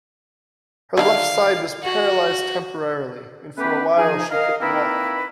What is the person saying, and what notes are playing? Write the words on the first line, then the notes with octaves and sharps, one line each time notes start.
Her left side was paralyzed temporarily, and for a while she couldn't walk.
D3 D#3 D4 F5
F#4
A3 B3 C#4 G4 B4
F3 D#4 G#4
A#4 D#5 F5
A#3 C4 D#4 E4 A#4 B4